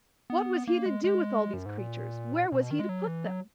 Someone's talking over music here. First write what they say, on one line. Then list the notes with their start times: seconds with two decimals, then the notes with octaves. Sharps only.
What was he to do with all these creatures, where was he to put them?
0.30 B3
0.67 A#3
0.86 G#3
1.04 G#3
1.53 F#2
1.66 G#2
1.78 A#2
2.52 B2
2.71 D#3
2.79 G#3
2.89 F#3
3.07 E3
3.26 F#3